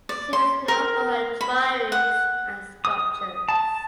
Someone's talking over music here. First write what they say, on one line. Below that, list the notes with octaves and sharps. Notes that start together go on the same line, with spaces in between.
She is known for her drawings and sculptures.
D5
C6
A#4
B5
F#5
D#6
A5